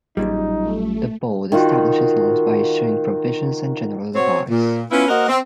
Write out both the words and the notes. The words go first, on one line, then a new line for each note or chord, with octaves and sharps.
The Board establishes norms by issuing provisions and general advice.
A1 F#2 A#2 G3 D#4
A3
D#3 D#4 F4 F#4
F#3 C4 C#5
A#2
B3 C#4 E4 F4 B4
A#3 F#4 A#4 C5 D#5 F#5
C4